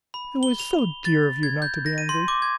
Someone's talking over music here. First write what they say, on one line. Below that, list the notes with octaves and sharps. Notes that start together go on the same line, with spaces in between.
It was so dear of you not to be angry!
B5
G7
F7
G7
A6
G#6
G6
A#6
D#7
C6
D6
G#6